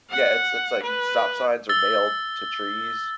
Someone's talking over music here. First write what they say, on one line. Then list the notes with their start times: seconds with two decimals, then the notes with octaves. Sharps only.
Yeah, it's it's like stop signs are nailed to trees,
0.10 F#5
0.83 B4
1.69 E6 A6 G7